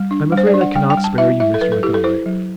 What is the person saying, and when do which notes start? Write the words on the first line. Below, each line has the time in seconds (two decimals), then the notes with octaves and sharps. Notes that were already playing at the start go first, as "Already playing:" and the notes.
"I am afraid I cannot spare you, Mr. Montgomery."
Already playing: G3
0.11 D4
0.32 G3
0.37 C5
0.47 D5
0.54 D4
0.61 F#5
0.75 G3 G5
0.90 G5
0.97 G3
1.04 A5
1.18 E4 E5
1.40 E4 E5
1.54 A4
1.61 F#3 B4
1.72 A4
1.83 E4 G4
1.94 A4
2.04 E4 C5
2.26 F#3